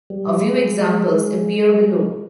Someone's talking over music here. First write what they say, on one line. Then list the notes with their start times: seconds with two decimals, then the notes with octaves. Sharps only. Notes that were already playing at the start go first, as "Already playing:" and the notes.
A few examples appear below.
0.10 G3
0.41 G#3